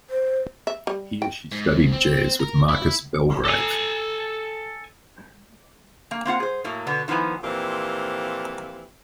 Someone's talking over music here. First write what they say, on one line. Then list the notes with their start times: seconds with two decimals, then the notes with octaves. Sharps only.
Here she studied jazz with Marcus Belgrave.
0.10 C5
0.67 E5
0.87 G3
1.22 G5
1.52 G#2
1.93 C4
2.40 A#4
2.69 E4
3.45 A4 G#5
6.11 A#3
6.25 A#3 C4 F4 F#5
6.40 G#4 C5
6.64 A2 F#3 A#3
6.87 B2 D3 B3 D4
7.08 D#3 F3 B3 E4 G#5
7.42 F2 A#2 E3 C4 G4 F5